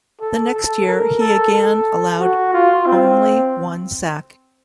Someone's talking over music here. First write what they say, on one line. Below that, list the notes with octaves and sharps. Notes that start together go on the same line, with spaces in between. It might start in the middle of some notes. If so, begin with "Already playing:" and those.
The next year, he again allowed only one sack.
A4
A4
A#4
A4
A4
F#4
F4
C4